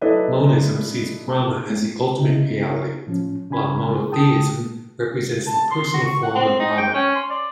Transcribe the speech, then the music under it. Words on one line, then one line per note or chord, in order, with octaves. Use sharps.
Monism sees Brahma as the ultimate Reality, while monotheism represents the personal form Brahman.
F#3 D4 E4 A4 B4 D#5
C#3 D#4 E4
A2 F3 C#4
C#3 D4 G#5 B5
G#4
G5 A5 D#6
A5
C6
F#4
C#6
F#5
C4
D#4
G5
C#4
C6
D5